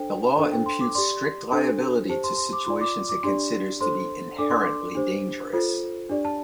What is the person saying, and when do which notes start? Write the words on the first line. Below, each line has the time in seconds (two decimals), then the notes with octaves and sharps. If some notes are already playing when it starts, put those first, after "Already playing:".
The law imputes strict liability to situations it considers to be inherently dangerous.
Already playing: D4 A4 C5 G5
0.37 D4 A4 C5
0.52 G5
0.66 C6
0.81 D6
0.95 G4 D5 C6
1.52 D4 A4 C5
2.09 G4 C5 A5
2.24 C6
2.37 C6
2.53 D6
2.66 F4 D5 C6
2.81 D6
3.09 D6
3.23 D4 G4 D5 C6
3.81 D4 A4 C5 C6
4.38 D4 A4 D5 D6
4.50 C6
4.62 D6
4.95 D4 G4 C5
5.53 F4 A4 C5
6.09 D4 G4 D5
6.25 A5